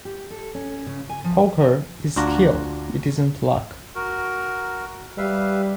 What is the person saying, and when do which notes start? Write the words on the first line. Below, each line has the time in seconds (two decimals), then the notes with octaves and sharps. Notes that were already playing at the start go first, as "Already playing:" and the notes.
Poker is skill, it isn't luck.
0.05 G4
0.30 A4
0.55 C#4
0.87 C#3
1.09 G#5
1.24 F3
2.16 D2 D4 F4 F#4 A#5
3.95 F#4 A#4
5.18 G3 B4 E5 F5